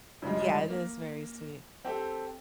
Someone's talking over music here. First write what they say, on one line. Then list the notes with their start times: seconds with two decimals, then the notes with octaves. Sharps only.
Yeah, it is very sweet.
0.22 F#2 C#3 F3 G3 G#3
0.70 A#3
1.85 C4 G4 A4